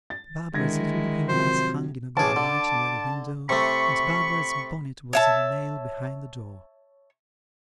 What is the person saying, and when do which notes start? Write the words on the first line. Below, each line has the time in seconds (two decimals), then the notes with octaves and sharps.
Barbara's little looking-glass hung in a good light near the window, and Barbara's bonnet was on a nail behind the door.
0.10 A6
0.54 D3 D#3 G#3 E4 G#6 A#6
1.29 C3 F3 F#3 C5
2.17 A1 G#4 A5 D6
2.36 D3
3.49 C3 A3 B5 C#6
5.13 C#5 E5 A5